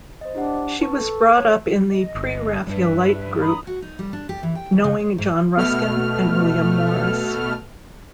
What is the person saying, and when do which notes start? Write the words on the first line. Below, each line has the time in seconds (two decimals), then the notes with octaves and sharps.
She was brought up in the Pre-Raphaelite group, knowing John Ruskin and William Morris.
0.21 C5 D#5
0.35 D4 E4 G4 F#5
0.80 B4 A5 C#6
0.97 A4
1.37 C#5
1.90 D#5
2.15 G1
2.67 G2 G3 B4 E5
3.40 A#5 B5 D#6
3.67 F#4
3.82 D#4
3.99 G3
4.13 D4
4.29 G4
4.43 E3
4.55 G5
4.72 D#2
4.84 C#3
5.00 C#5
5.18 G#2
5.56 B2 A3 F6